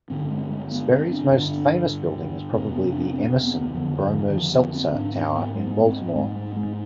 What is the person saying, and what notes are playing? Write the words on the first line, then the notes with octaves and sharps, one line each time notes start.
Sperry's most famous building is probably the Emerson "Bromo-Seltzer" Tower in Baltimore.
G2 D3 C4
G#3
G#3
B3
C4
D4
G2 D3 D4
F2 C3 C4
B3
D4
C4
B3
F2 D3 F3
F3
D#3
F3
B3
C4
G#2 D4
C4
B3
G#3
G#3
B3
C4
G#2 G#3
G#3
G#3